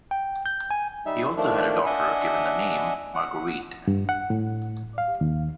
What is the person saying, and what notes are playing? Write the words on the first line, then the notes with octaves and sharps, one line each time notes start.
He also had a daughter, given the name Marguerite.
G5
G6
G#5
G3 D#4 E5
D#3 F3 A3 D4
D4 D#5 E5 F#5 G#5
F#5
G2
F#5
A2
F5
D#2